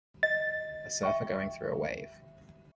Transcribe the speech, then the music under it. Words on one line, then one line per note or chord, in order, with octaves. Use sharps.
A surfer going through a wave.
D#5 A6
E5 G5 C#6